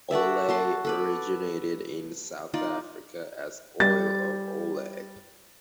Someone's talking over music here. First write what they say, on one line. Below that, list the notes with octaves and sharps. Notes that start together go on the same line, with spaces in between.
Olay originated in South Africa as Oil of Olay.
F#4 A4 D5 E5
F#4 A5 C6
A4 B4 D5
D#4 F4 D5
G3 A6